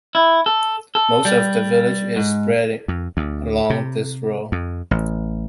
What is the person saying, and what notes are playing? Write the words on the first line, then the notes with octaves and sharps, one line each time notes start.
Most of the village is spread along this road.
E4
A4
A4
G3
G#2
F2
D2
C3
F2
A1